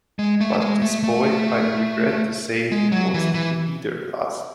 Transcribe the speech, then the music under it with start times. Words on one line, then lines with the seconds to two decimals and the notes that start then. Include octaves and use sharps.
But this boy, I regret to say, falls into neither class.
0.19 G#3
0.41 A3
0.61 G#3
0.82 A3
1.03 A3
2.72 G#3
2.92 F#3
3.14 E3
3.34 E3